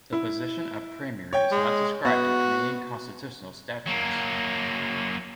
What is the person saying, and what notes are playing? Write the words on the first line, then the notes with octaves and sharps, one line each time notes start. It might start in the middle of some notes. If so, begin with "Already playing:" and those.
The position of premier is not described in Canadian constitutional statutes.
E4
C#5 G5
G#3
B3 F#4
F#3 A#3